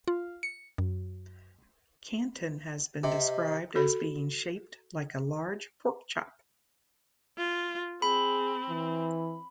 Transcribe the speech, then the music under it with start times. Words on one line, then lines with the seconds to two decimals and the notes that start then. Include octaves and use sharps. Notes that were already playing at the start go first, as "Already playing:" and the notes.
Kanton has been described as being shaped like a large pork chop.
0.08 F4
0.43 C#7
0.78 F#2
3.03 C3 D#5
3.75 F#4 A4 B5
7.37 F4
8.02 C4 G#4 B5
8.69 E3